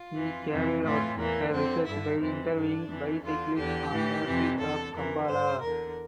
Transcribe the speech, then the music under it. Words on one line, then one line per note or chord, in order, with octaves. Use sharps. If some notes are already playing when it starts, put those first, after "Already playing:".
She carried out her research by interviewing bicyclists on the streets of Kampala.
Already playing: F4
F2 E3
F2 C3 E3
A2 E3 F4
E2 E3 A#3
F2 D3 C4
G2 D3 E4
F2 C3 E3 C4
G2 D3 D4
F2 E3
E2 D3 F4
E2 D3 G4
A2 E3
F2 C3 E3
E2 D3 A4
F2 C3 E3 A#4
G2 D3 C5
E2 D3 A#4